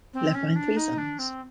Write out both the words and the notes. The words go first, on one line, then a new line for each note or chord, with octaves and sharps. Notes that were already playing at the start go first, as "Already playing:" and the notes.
He left behind three sons.
C4
C#4
D4
D#4
D4
C4